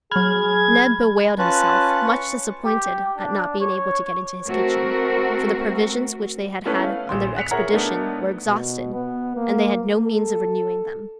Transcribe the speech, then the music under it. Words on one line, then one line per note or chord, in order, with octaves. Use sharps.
Neb bewailed himself, much disappointed at not being able to get into his kitchen, for the provisions which they had had on their expedition were exhausted, and they had no means of renewing them.
F#3 G#4 B5 F6 G#6
C#4 F4 B4 A5 F#6
C#6
G4
D4
C#5
A3 C4 F#4 A#4
A3 B3 C#4 E4 A4 B4
F5
A#1 C6
F#6 B6 C#7 F7
G#4 A#4 C#5 E5 F#5 A#5
A3 B3 D4 D#4 A#4
B2
B3
A#3
A4